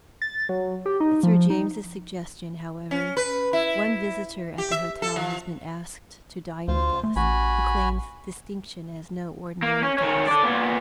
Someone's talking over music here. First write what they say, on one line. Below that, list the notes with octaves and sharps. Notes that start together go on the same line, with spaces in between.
At Sir James's suggestion, however, one visitor at the hotel has been asked to dine with us, who claims distinction as no ordinary guest.
A6
F#3
G4
D#4
F3
D#4
C#4
B4
E4
G4
E5
A4
F3
D2 F4 C5
A3
A1 F#4 G#5 B5
A#3
C#4
D#3 C#4
A4 D5
A#2 B3